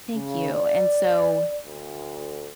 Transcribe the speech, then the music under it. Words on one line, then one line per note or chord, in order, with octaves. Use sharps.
Thank you. And so,
C#3
D5
D2